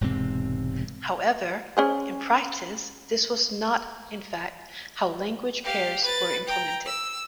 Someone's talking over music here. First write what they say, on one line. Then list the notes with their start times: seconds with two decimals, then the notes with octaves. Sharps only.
However, in practice this was not in fact how language pairs were implemented.
0.01 E1 G#2 C3 C4
1.77 C#4 G#4 C5
5.64 G4 F5
6.04 B4 A6
6.47 G5 A#5
6.85 E6